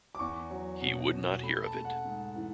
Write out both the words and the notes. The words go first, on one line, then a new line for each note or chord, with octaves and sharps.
He would not hear of it.
D6
E2 C#6
F#3
B2
B2
A3 B5
A5
A3
F#5
G#2
E3